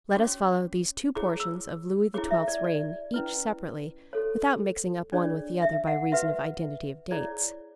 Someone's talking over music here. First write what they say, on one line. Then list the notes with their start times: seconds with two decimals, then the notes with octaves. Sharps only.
Let us follow these two portions of Louis XII.'s reign, each separately, without mixing up one with the other by reason of identity of dates.
0.16 C#4 F#4 C#5 D6
1.15 E4 G#4 C#5 D6
1.40 E6
2.14 E4 G#4 C#5 D6
2.31 E5
2.48 D5
2.64 D5
3.14 C#4 E4 B4
4.13 F#4 A4 C#5
5.12 D4 G#4 C#5 D5
5.62 E5
5.87 F#5
6.12 F#4 B4 E5
7.11 E4 G#4 C#5 D5